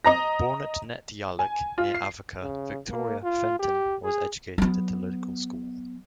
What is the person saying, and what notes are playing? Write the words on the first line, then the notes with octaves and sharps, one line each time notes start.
Born at Nette Yallock, near Avoca, Victoria, Fenton was educated at a local school.
D#5 A#5 A#6
G#5
F4
C7
C#3
A#3
F4
G4
G#4
F#3 B3